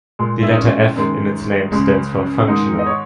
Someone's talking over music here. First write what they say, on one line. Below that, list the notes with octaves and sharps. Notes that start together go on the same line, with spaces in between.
The letter 'F' in its name stands for "functional".
A#2 G#3
E4
D#4
C#4
F#2 D#3 G#3
C#2 C#3 G#3
G#2 D#3 G#3 D#4
D#5
C#5